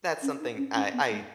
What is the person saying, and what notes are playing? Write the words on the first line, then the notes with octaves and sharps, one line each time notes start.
that's something I I
C#4
D#4
C#4
C#4
B3
G#3